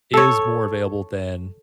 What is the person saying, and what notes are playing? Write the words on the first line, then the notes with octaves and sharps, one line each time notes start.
is more available than
A4 C#5